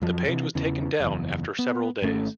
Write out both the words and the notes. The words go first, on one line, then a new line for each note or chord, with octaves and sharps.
The page was taken down after several days.
F2 F3 F#3
C3 E3
E2 C#3 E3
F#1 E2
B3
G#1 A3 C#4